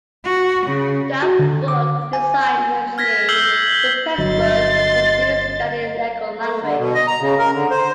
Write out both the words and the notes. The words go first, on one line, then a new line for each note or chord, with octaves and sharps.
That book was designed essentially as a textbook for students studying legal language.
F#4
C#3
F#4
D3
D6
G#5
F6 G#6 A#6 B6
E6 F6 G6 C7 F#7 G7
G1 D3 F#3 D#5 C6 A6
A3
D3
B2
D#5
A#5
C#3
A#4
D3
C5